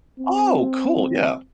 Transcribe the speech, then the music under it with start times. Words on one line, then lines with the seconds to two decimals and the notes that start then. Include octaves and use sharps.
Oh, cool, yeah.
0.19 C4